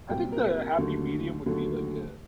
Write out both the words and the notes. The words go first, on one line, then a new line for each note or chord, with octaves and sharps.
I think the happy medium would be like, uh,
C2 A#2 F#3 C4 G5
A#4
A#4
D#2 D3 F#3 A3
D#2 D3 F#3 A3